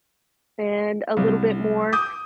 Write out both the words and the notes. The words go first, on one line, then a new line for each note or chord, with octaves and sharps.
and a little bit more,
C2
D6 D#6 G6